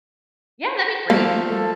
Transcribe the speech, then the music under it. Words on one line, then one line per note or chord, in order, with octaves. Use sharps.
Yeah, that'd be great.
F3 G3 A3 A#3
A4